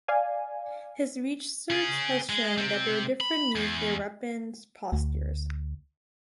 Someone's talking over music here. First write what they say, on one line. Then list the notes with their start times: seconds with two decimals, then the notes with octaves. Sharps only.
His research has shown that there are different nuclear weapons postures.
0.08 D5 F5 G#5
1.70 C#4 G#4
2.29 G#3
2.58 C3 C4
3.21 B5
3.56 E2
4.92 D2